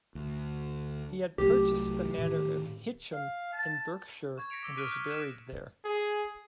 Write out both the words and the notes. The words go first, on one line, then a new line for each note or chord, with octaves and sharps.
He had purchased the manor of Hitcham in Berkshire and was buried there.
D2
C2 F#3 A3 G4
A2 D#3
F5
A5
C#6 G#6
A#6 B6 C#7 D7 F7
D6 E6 A#6
D#6 F6 F#6 B6 D7 D#7
F#6
F#6 B6 D#7 E7
G#4